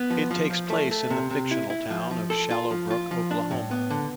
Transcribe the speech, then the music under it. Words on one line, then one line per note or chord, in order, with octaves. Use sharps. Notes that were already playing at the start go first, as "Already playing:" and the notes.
It takes place in the fictional town of Shallow Brook, Oklahoma.
Already playing: B3
F3
F3
F3
A3
A3
C3
C3
E4
E4
F3
F3
A4
F4
F3
F4
F3
D4
A2
B3
D3